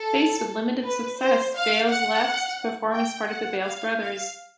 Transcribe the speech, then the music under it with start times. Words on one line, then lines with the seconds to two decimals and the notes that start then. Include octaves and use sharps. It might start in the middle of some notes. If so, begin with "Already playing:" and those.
Faced with limited success, Bailes left to perform as part of The Bailes Brothers.
Already playing: A4
0.84 B4
1.19 C5
1.54 F5
1.88 F#5
2.94 G5
3.28 F#5
3.63 F5
3.99 F5